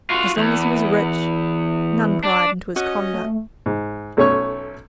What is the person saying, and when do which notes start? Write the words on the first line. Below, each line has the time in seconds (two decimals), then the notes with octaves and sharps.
As long as he was rich, none pried into his conduct.
0.10 F4 F#4
0.37 E2
2.24 D4
2.76 C#4 F#4 D#5
3.14 A3
3.66 G#2
4.17 B1 A3 C#4 C#5 C#6